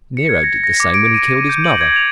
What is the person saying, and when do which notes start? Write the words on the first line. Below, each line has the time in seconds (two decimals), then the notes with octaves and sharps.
Nero did the same when he killed his mother.
0.17 C#7
0.29 G#6
0.44 A#6
0.64 A#6
0.80 D6
0.94 D7
1.14 D#7
1.31 D#7
1.49 G6
1.64 F#7
1.81 G#6
1.96 F7